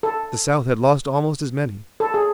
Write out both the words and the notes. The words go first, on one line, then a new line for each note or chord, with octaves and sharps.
The South had lost almost as many.
A4
A4
G#4